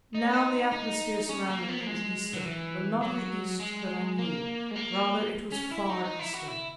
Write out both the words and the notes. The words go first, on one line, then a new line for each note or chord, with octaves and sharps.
Now, the atmosphere surrounding me was Eastern, but not of the East that I knew; rather it was Far Eastern.
D#4
C#4
D#4
D#4
C#4
A#3
B3
A#3
G#3
F#3
E3
F#3
G#3
A#3
G#3
A#3
C#4
E4
E4
D#4
D#4
E4
F#4
E4